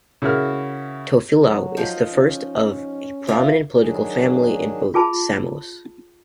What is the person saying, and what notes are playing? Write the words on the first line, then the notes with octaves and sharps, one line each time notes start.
Tofilau is the first of a prominent political family in both Samoas.
C#3 E4 F#4 A#4 F6
F#3
F3 D#4 D#5
C#4
C4 F4 E5
D#3 F#3 D4 G#4
F4 G#4 A5 B5